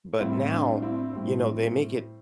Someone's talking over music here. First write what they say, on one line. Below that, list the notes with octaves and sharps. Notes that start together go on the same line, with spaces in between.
but now, you know, they make it
A2 G3 C4 E4
D4
C4 E4
A2 G3 C4